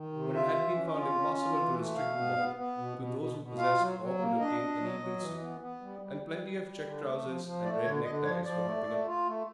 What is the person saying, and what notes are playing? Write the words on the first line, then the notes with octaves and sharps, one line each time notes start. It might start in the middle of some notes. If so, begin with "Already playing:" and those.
But it had been found impossible to restrict the ball to those who possessed or could obtain an evening suit, and plenty of check trousers and red neckties were hopping about.
Already playing: D#3
C3
F4 E5
E3
C#4
F4
C#4
F4
E3
A3
B2 F5
B3
B3
B3
B2
B2
B2
B2
F4 F5
F#3
F#3
A#3
D4 D#5
D4
F#3
F#3
E3
B3
B3
G3
G3
G3
G3
G3
D3
A3
F3
F3
A3 D5
D3 C#5
D3 D#5
F3 C#5
F3 D5
A3
A3
F4
A3